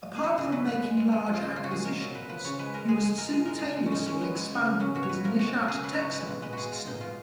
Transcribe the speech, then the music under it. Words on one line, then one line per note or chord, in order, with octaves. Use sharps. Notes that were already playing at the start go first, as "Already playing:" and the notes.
Apart from making large acquisitions, he was simultaneously expanding his Nishat Textiles segment.
G#4
F#3 F#4
C#3 G#4
F#3 B4
B2 B4
G#3
G#3
G#3
F3
F4
C#3 D#4
C#3 F4
F#4
A#2 G#4
G#3 A#4
F#3 A#4
A#2 B4
F3 B4
C#3 C#5
G#3 B4
G#3 A#4
G#3 G#4
G#3 G#4
G#3 A#4
G#3 G#4
G#3 A#4
C#3 G#4
G#3
C#4
G#3 D#4
G#3 C#4
G#3 B3
G#3
C#3 B3
C#3 A#3
F#3 C#4
B2 F#4
C#5
B2 B4
F3 A#4
G#3 F#4
F#3 F#4
A#4
C#3 G#4
F#3 B4
C#3 C#5
G#3 B4
B2
G#3 B4
B2 F#4 G#4
G#3 F4
B2 D#4
B2 F4